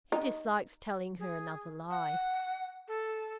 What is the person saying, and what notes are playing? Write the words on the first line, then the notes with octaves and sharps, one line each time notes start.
He dislikes telling her another lie.
D#4
G#4
F#5
A4